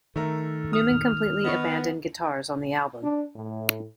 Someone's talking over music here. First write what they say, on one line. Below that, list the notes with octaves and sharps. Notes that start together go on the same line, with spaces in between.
Numan completely abandoned guitars on the album.
D#3 A3 A4 A#4
D#6 F6
B3 D#5 C#6
D4
A2